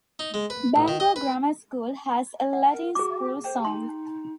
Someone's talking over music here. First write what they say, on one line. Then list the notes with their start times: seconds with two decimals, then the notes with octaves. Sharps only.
Bangor Grammar School has a Latin school song.
0.19 D#4
0.34 G#3
0.50 B4
0.76 A1
0.88 D#3
1.00 D#5
1.16 B4
2.53 F#5
2.72 A#4
2.95 F#4 G#4 D6
3.44 C5 G5
3.65 D#4 C6